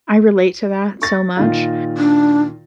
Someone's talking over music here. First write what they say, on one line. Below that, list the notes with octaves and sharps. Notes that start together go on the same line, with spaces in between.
I relate to that so much,
C#6 A6 A#6
A#2 D#3 F4
D4